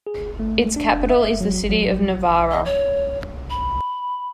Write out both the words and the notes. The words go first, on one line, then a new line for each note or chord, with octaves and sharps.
Its capital is the city of Novara.
G#4
A3
D4
E5
F#3
F#3
D#5
C#5
B5